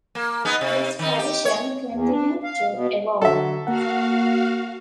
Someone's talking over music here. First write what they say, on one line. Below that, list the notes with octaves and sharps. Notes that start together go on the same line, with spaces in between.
This tradition continued to evolve.
A#3
B3 D#4 G#4
C3
D#3 D#4
G4
C#5
E2
D4
F5
B2
D3 F#3 A4 E5
A#3 F#4 A#4 F5 F#5